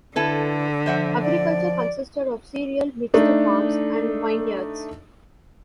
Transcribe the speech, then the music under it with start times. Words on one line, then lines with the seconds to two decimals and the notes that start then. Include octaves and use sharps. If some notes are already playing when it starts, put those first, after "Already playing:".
Agriculture consisted of cereal, mixed farms and vineyards.
0.16 D3 E4 A4 B4
0.86 F3 C5 E5 F#5
1.23 D5
3.14 A3 D4 D#4